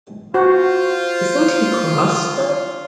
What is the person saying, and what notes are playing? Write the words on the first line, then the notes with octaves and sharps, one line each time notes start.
Isn't he cross, though?
F4 F#4 C5